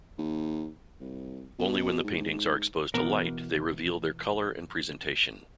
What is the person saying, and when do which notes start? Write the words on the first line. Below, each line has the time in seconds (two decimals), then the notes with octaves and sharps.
Only when the paintings are exposed to light they reveal their colour and presentation.
0.18 D#2
1.00 C2
1.59 B2
2.04 G#2
2.94 B2 E3 B3 A#4 A#5